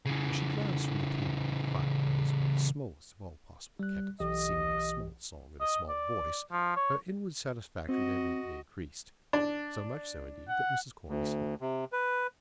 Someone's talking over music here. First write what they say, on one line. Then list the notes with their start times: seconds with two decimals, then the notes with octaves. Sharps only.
As she glanced from the table to the fireplace, where the smallest of all possible kettles was singing a small song in a small voice, her inward satisfaction evidently increased,--so much so, indeed, that Mrs. Corney smiled.
0.05 C#3 E3
3.79 G3 F#6
4.20 B1 E3 G4 D#5
5.60 D#5
5.89 D5
6.52 F3
6.76 C#5
7.89 C4 F#4 D#5
9.33 D4
10.48 F#5
11.08 D2
11.61 C3
11.92 B4